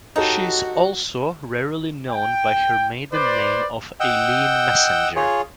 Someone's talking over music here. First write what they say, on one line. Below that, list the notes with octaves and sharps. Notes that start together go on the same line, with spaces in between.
She is also rarely known by her maiden name of Eileen Messenger.
D#4 F#4 G4 A4 C#5
G5
B4 C5 D5
D#5 F#5 G5 E6 G6
F4 G#4 C#5